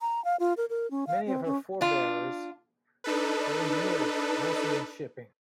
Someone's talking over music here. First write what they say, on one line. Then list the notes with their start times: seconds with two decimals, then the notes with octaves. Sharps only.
Many of her forebears were engineers, mostly in shipping.
0.01 A#5
0.25 F5
0.40 F4
0.57 A#4
0.70 A#4
0.91 C#4
1.07 F5
1.27 C4
1.45 C#4
1.81 D4 F4
3.04 D4 D#4 A4 B4